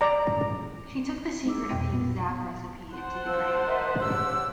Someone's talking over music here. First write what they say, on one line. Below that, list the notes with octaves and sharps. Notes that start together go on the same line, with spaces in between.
He took the secret of the exact recipe into the grave.
D5 A#5
G#3 D#4 D6 E6
F2 B2 G5 D#7
A#2 B3
C5 F#5 A5
F3 E6
A#4 D#5 E5
C#3 G4 E6